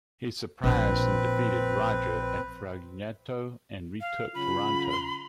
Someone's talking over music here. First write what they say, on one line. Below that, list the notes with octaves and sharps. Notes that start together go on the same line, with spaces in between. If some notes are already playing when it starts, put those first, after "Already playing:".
He surprised and defeated Roger at Fragneto and retook Taranto.
A#1 C4 B4
F5
C#3 F#3 F4 B5